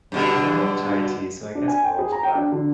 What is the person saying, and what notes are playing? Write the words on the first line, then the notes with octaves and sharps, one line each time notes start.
I li I like chai tea, so I guess both, but
G2 B2 D3
D4
G#5
G5
G#4
A#5
G5
D4
D3